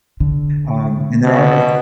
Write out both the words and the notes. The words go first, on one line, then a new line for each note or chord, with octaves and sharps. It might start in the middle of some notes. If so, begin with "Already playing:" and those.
um, and there are, like
D3
B2